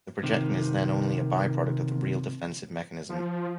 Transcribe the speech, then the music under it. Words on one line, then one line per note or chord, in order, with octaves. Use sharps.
The projection is then only a by-product of the real defensive mechanism.
C3 D#3
F3